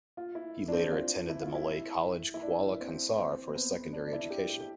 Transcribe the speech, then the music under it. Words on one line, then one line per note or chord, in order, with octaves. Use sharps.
He later attended the Malay College Kuala Kangsar for his secondary education.
F4
E4
D4
C4
F4
E4
F4
E4
E4
D4
C4
C4
C4
B3
D4
D4
E4
G4
G4
G4